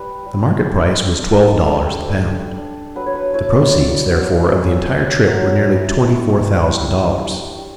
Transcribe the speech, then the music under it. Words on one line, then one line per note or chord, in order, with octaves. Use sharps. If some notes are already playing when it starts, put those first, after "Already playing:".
The market price was twelve dollars the pound. The proceeds, therefore, of the entire trip were nearly twenty-four thousand dollars.
Already playing: G3 B4
G3
D4
G3
G3 A4
G3
D4
D4
F#3 B4
C#5
B4
E4 C#5
D5
F#3 D5
F#3
C#4
F#3
F#3 E5
E4
D4 C#6
D6
C#6
G3
D4
G3
G3